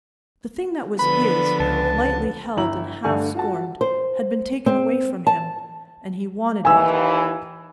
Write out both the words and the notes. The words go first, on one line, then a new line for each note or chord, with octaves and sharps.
The thing that was his, lightly held and half scorned, had been taken away from him, and he wanted it.
D3 F3 B3 B4 B5
C#2 A5
G1 E4 A#5 F#7
G2 D3 A3 G#5
F4 F#4 A5
C5
C4
A5
D#2 E3 G#5 E6